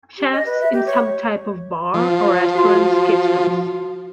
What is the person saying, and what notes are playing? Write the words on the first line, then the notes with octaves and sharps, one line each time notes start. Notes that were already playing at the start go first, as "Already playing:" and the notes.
Chefs in some type of bar or restaurant 's kitchens.
G4
D#5
B4
E5
G4
C#5
F3
F#4 C6